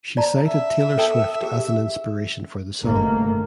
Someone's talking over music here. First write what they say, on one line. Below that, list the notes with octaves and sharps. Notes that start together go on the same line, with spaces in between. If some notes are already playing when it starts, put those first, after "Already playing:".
She cited Taylor Swift as an inspiration for the song.
D5 A5 A#5
E5
A4 G5 A5
G4 G#4
G1 G#2 C3 D#3 A3 A#3